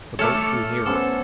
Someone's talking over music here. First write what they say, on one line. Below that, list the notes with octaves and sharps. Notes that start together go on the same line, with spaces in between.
The boat drew nearer.
A3 A4 C#5 D6 F6 C#7
B3 C#4 A4 C5